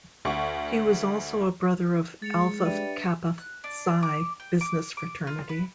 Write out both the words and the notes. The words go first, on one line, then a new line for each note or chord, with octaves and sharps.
He was also a brother of Alpha Kappa Psi Business Fraternity.
D2 C#6
G#3 A6 C#7 F7
G3 D4 B4 E5 D#7
F#6
D4
D6
G5
D6
D6
F4
B4